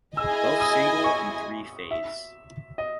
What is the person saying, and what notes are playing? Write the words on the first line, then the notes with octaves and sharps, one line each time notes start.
Both single and three phase.
E4 G#4 D#5 G#5 E6
D#6
C#6
E5
D#5